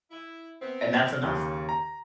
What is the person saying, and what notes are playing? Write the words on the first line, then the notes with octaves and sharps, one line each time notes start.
And that's enough.
E4
B3 C4
D#2 C#3
A#5